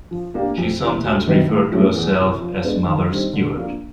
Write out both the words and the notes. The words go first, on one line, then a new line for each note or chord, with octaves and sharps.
She sometimes referred to herself as Mother Stewart.
F3
A#3 D4 G4
F2
C3 E3
D2
C3 D#3 F#3 B3
A2
F#3 A3 C#4 E4
E2
C3 E3
F3
G#3 B3 D4
D#3
G3 C4 D#4
D3
F3 A#3 D4